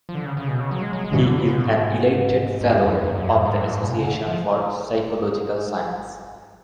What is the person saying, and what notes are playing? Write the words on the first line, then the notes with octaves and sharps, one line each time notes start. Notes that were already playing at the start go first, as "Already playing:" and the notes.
He is an elected fellow of the Association for Psychological Science.
F3
D3
C#3
C#3
B2
C#3
F#3
G#3
F#3
G#3
F#3
C#3
D3
C#3
B2
G#2
A2
G#2
G#2
F#2
F2
F#2
F#2
F#2
G#2
G#2
F#2
G#2
B2
C#3
D3
F3